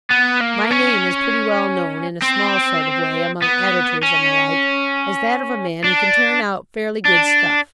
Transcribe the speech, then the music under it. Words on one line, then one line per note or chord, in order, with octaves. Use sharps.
My name is pretty well known in a small sort of way among editors and the like as that of a man who can turn out fairly good stuff.
B3
A#3
C#4
C4
B3
C#4
D4
D4